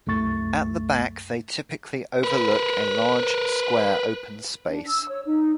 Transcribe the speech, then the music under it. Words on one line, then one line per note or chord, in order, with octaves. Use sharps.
At the back they typically overlook a large square open space.
C2 F#2 A3 C#6 A6
A#4 B4
D4
E6
C#5
D#4